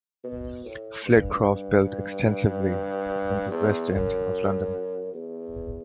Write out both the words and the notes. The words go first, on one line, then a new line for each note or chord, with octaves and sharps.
Flitcroft built extensively in the West End of London.
B2
A2
G2
E2
F#2
E2